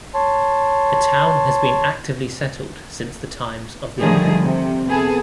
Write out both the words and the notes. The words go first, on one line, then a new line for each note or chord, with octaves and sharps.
The town has been actively settled since the times of the Umbri.
C#5 A5 C6
D3 D#3 F3 G3 A3 G#4
C3
B3 G#4 A4